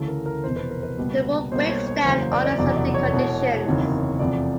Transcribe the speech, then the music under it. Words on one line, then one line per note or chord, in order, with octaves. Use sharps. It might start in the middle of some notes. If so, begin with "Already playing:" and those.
The rule breaks down under certain conditions.
Already playing: D2 C#3 E3 A3 A4
A#4
A#4
F1 E2 B2 C5
B4
A#4
B4
C#2 B2 G3 A#3
B1 B2 G3 A#3 C5
C#5
C#5
F#1 E2 C#3 F#3 A#3 C5
D5
D5
F1 E2 B2 F#3 D5
D5
C#5
E1 E2 B2
F#1 E2 C3 D#3
F1 E2 C3 F3 D5